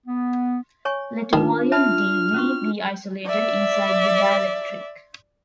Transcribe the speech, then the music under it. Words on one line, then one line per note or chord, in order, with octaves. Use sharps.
Let a volume d"V" be isolated inside the dielectric.
B3
C#5 G#5 C#6
D#3 D4 D#4 F4 B4
E5 A5 B5 F6
C#4 F#4 C#6
D5 E5